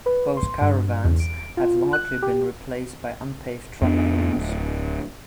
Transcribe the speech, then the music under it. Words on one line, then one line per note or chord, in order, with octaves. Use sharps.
Both caravans have largely been replaced by unpaved truck routes.
B4
C6
G2
E2
D7
F4
F#6
G4
F2 B3 D4
D1